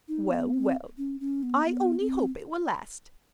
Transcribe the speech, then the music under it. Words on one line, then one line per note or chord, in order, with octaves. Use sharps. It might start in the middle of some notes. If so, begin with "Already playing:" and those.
Well, well, I only hope it will last.
D#4
B3
C4
C#4
C#4
B3
B3
C4